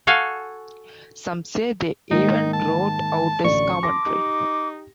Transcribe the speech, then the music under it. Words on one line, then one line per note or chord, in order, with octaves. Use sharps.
Some say they even wrote out his commentary.
F#4 A4 F5 G#5
G#2 D#3 A#3 D#4
A5
A1 D2 D5 C#6
A5 C6 D6 A#6
D#4 G4